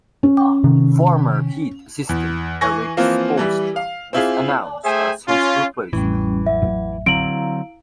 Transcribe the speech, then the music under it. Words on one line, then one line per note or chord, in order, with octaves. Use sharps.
Former Heat assistant Erik Spoelstra was announced as his replacement.
C#4
C3 D#3
E2
E3 G#5 C#6 A#6
E3 F3 A#3 C4 F4
E3 G3 E4
F5
C4 E4 F4 G#4
A3 G#4 C5 E5 G5 G#5
C#4 F4
A1 F2 A2 E3 G3 C#4
F#3 E5
D3 F#3 C4 E4 F5 A#5 D7 F#7